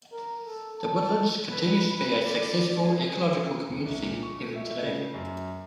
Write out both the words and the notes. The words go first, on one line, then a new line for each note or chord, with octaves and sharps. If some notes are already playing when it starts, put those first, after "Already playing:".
The Woodlands continues to be a successful ecological community even today.
A#4
A4
A5
B4
B4
D5
G#4
D#2
C2
A#2
C#6
A3
E5
C#3
F#2